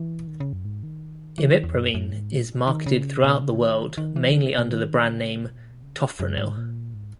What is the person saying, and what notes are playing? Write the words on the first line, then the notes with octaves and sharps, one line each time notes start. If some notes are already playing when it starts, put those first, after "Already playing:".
Imipramine is marketed throughout the world mainly under the brand name Tofranil.
Already playing: E3
D#3
C#3
F#2
G#2
D#3
E3
D#3
E2
F#2
F#2
G#2
A#2
D#3
C#3
B2
C#3
D#3
D#3
E3
D#3
C#3
B2
D#3
C#3
B2
A#2
B2
C#3
D#3
F#2
G#2
A#2
G#2